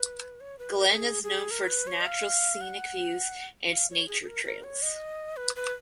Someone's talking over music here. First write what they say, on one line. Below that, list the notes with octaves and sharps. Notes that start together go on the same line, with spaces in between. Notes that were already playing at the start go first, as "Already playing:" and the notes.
Glen is known for its natural scenic views and its nature trails.
Already playing: B4
C#5
B4
A#4
A#4
G#4
G#4
A#4
B4
C#5
D#5
F5
F#5
F5
C#5
G#4
G#4
A#4
A#4
C#5
D#5
B4
B4